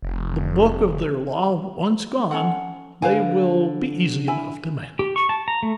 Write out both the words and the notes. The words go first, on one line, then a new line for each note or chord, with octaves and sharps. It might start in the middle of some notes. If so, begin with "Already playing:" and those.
The Book of their Law once gone, they will be easy enough to manage.'
F1
C#4 A4 F#5
D3 B4 F5 G#5
E4 G#5
G4
C#6
A5
A#5
A3